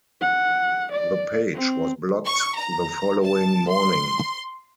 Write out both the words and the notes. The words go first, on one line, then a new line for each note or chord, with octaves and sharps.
The page was blocked the following morning.
F#5
D5
C4
C#6
A#5
A5
C6